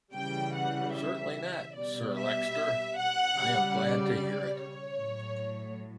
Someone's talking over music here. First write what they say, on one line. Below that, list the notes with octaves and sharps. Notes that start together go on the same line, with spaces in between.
"Certainly not, Sir Leicester," "I am glad to hear it."
C#3 E3 G3 G5
F#5
E5
B2 G3 D5
E5
F#5
C#3 G3
D5
C#5
A2 F#3